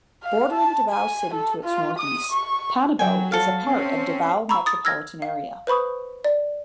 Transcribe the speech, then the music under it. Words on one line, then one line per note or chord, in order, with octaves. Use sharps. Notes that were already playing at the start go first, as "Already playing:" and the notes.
Bordering Davao City to its northeast, Panabo is a part of Davao Metropolitan Area.
F5
A5
G#5
A4
F4
D#6
C#6
F#3 G5 G#5
A4 F5
C4 C#4
A#5 B5 C#6 E6
D#6 A6
E6 F6 G#6 A#6
F5
B4 C5 B5 C#6 D#6
D5